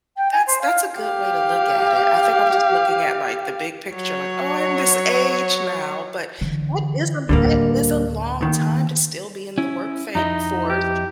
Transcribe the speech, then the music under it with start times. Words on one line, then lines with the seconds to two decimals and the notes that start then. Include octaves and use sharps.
That's that's a good way to look at it, I think I'm just looking at, like, the big picture, like, "Oh, I'm this age now," but, that is a that is a long time to still be in the work fa force
0.17 G5
0.32 G#5
0.46 C5
0.61 F5
1.00 G4 F5
3.94 F#3 C#5
6.41 D3 E3
7.29 D2 A2 D3 G3 A#3
8.41 D#2 D#3
9.58 C#4 E4
10.15 F2 D#4 E4 D#5
10.70 G4